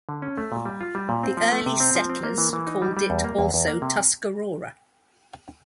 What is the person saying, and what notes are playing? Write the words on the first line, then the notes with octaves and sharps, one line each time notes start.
The early settlers called it also "Tuscarora".
D3
C#4
A3
A#2
G3
F4
G3
A#2
C4
F3
A3
C3
C4
F3
C4
A#3
E3
E3
D#4
G3
G3
E2
A#3
E2
E2
A#3
C3